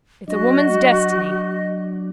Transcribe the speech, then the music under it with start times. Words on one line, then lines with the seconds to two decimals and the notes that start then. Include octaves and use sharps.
It's a woman's destiny.
0.28 F#3 D4 F#4 D#5